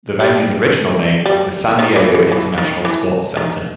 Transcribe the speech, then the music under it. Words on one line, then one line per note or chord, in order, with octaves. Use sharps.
The venue's original name was the San Diego International Sports Center.
G3
G3
D#3
E3
E3
E3
D#3
E3
D#3